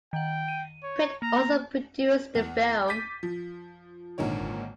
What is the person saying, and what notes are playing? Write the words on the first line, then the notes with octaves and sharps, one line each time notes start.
Pitt also produced the film.
D#3 F#5 G5
D#7
C#5
A#3 A#5
E2
D6 G6 A6 B6 D#7
F3
G#1 A#2 D3 D#3 C#5